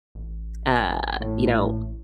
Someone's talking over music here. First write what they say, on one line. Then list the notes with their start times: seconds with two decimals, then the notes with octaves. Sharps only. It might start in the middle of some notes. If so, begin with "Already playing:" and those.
uh, you know,
0.15 A1
1.20 A2